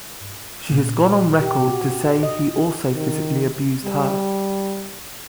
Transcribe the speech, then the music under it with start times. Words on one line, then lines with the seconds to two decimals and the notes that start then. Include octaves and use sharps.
She has gone on record to say he also physically abused her.
0.71 A#2
1.41 G4
1.68 F#4
2.23 D#5
2.94 D#3
3.85 G3